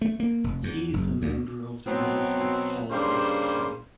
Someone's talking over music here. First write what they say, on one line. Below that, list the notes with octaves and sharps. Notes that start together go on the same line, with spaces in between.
He is a member of the Middlesex Hall of Fame.
A3
A#3
F1
E2
F#1
D2
B2 F#3 B3 C4
G2 C#3 G3 A#3 C5 C6